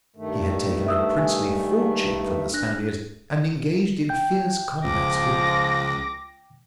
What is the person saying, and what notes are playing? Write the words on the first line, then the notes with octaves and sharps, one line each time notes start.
He had taken a princely fortune from the Spaniards and engaged in fierce combats with them.
G2 D#3 A3
E5 D#6 E6
G#5
B4
D4 F#6 A#6
G5 G6
C#2 F3 D6 A#6